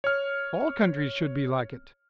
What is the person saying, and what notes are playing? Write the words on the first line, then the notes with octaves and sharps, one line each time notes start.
All countries should be like it!
C#5 F6